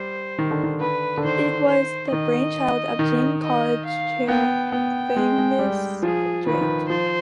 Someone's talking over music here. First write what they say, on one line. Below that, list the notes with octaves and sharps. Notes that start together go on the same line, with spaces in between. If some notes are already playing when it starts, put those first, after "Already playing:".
It was the brainchild of James College Chair, Fergus Drake.
Already playing: G3 C5
D#3
D3
D#3
D3 B4
D3
D#3 C5
C5
D#3 D#5
D#3
D#5
F5
B3 G5
B3 G5
G#3
G#3
G3
F3 G#4
D#3 B4
F3
D#3
F3 C5